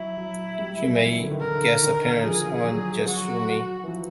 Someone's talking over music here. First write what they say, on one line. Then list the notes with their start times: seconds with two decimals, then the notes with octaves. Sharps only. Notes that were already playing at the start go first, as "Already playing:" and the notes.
She made guest appearances on Just Shoot Me!
Already playing: F#3 E4
0.17 F#3
0.59 G3
0.79 F#3
0.99 E3
1.20 D3
1.31 D#3
1.41 D3 A#4
1.82 D#3
2.23 F3 G#4
2.65 F#3
3.06 F#3 F#4
3.83 E3
3.88 F3